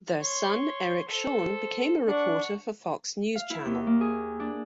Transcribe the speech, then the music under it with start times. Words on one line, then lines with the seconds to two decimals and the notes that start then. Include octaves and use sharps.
Their son, Eric Shawn, became a reporter for Fox News Channel.
0.20 C#5 C6
1.08 A4 C5
2.08 D4 F#5 C#6
3.35 F5
3.50 E4
3.65 D#2
3.87 A#3
4.01 G#4
4.40 D4